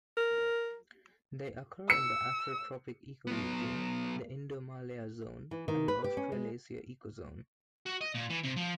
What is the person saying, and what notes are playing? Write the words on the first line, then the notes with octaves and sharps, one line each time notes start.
They occur in the Afrotropic ecoregion, the Indomalaya zone, and the Australasia ecozone.
A#4
E6 C#7
F#3 B3
E3
D#3
B4
G4
C#4
G#3
F#4
D#5
A#2
E3
C3
F3